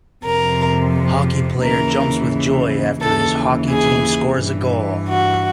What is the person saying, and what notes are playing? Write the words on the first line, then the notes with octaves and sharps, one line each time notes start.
Hockey player jumps with joy after his hockey team scores a goal.
F2 C3 F3 A#4
D#2 C#3 E3 A#4
D#2 C#3 E3 A4
G#4
G2 E3
F#4